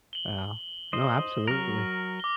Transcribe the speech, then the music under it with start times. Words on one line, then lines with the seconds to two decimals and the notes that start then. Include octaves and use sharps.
Yeah. No, absolutely.
0.13 F#7 G7
0.93 C5 D#5
1.48 F#3 A#4 F6 A#6
2.20 D6 G7